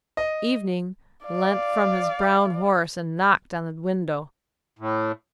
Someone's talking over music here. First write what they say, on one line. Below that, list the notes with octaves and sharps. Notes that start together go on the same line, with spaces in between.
Evening leant from his brown horse and knocked on the window.
D#5
D5 F5
A2